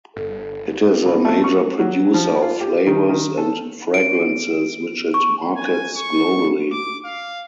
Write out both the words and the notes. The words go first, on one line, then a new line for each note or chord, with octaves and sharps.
It is a major producer of flavors and fragrances which it markets globally.
G1 A4
B2
A3
C#6
F#3
F3
F4
G4
D#3
D#3
A4
D7
C#6
G#5
C#6
D6
F5